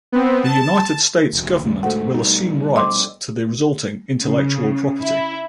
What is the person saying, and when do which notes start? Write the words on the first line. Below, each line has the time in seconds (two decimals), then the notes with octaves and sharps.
The United States government will assume rights to the resulting intellectual property.
0.12 B3 C4
0.44 A5
1.33 F1 D2
1.62 D#2 C#3 G3
1.83 D2 G#2 A3 F#4 C5 F#5
2.14 B2 G3 D#4
2.76 C4 D4 A4 D#5 C6 D6
4.20 C#3
5.01 E4